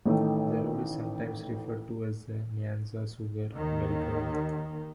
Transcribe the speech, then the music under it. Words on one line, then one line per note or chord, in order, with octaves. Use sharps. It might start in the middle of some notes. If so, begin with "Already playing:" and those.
The road is sometimes referred to as the Nyanza Sugar Belt Road.
A1 D#3 A3
D#2 D#3